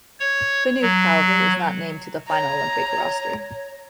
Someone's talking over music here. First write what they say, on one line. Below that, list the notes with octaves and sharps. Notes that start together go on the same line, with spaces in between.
Phaneuf, however, was not named to the final Olympic roster.
C#5
F#3
C#5 A#5